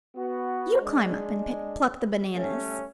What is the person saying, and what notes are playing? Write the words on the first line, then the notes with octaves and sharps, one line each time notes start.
You climb up and pluck the bananas.
B3 F#4
G#3 D4
G3 A3 C#4